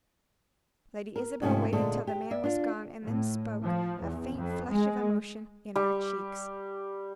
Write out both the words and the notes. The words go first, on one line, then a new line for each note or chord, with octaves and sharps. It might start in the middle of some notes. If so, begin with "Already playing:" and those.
Lady Isabel waited till the man was gone, and then spoke, a faint flush of emotion in her cheeks.
A#4
G#2 C3 F3 A3 C#4
A#2 D3 G#3 A3
G4
D5 E5
D4 F4
A2
F3
E2
F2
G#3
G3